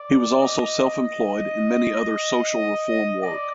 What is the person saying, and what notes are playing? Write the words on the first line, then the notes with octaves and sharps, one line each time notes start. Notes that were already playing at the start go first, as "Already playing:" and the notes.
He was also self employed in many other social reform work.
Already playing: D5
D#5
D5